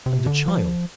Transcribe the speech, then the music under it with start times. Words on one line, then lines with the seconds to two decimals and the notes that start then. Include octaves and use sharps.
And the child?
0.06 C3
0.26 D3
0.48 F3